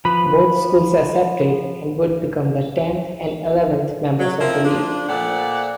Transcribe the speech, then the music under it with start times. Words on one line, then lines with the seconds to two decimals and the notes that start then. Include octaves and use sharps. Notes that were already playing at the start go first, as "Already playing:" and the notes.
Both schools accepted and would become the tenth and eleventh members of the league.
0.05 F3 B4 B5
4.18 F#3
4.40 F3 C4 E4 A#4
4.64 F3 D4
5.08 A#2 F3 A3 D5 F#5